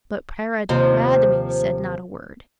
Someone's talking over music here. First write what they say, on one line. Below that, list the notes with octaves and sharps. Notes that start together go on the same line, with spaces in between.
But Paridamie said not a word.
D#2 C3 F3